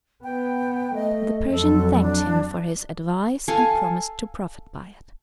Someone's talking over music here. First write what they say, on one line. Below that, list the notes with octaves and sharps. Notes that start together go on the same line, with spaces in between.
The Persian thanked him for his advice, and promised to profit by it.
B3 G5
A3 D#5
F2 F#3 A4
D4
A4 F5 G#5 A5